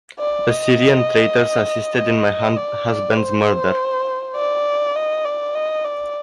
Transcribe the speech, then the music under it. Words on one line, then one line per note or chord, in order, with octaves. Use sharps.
The Syrian traitors assisted in my husband's murder.
D5
D#5
D#5
D5
C5
D5
D#5
D5
D#5
D5